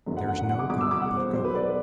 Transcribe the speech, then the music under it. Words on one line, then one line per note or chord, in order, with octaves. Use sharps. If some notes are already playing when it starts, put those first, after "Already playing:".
There is no god but God.
F#1 F#2 D3
F#5
F#5
F#5
F#5
D6
C2 B2 D6
E6
D6
F#5
C5
B1 B2 C5
B4
D5